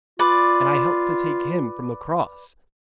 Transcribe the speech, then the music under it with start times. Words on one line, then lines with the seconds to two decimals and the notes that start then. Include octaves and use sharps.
And I helped to take Him from the cross.
0.19 F4 B4 D5